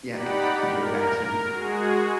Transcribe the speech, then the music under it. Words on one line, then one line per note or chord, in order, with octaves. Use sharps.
Yeah, 'cause could you imagine
D#4 G4 D5 F#5 B5
A#4
G#3 F#4 G#4